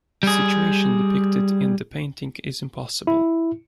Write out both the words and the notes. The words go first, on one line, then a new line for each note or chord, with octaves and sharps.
The situation depicted in the painting is impossible.
G3 G#4
E4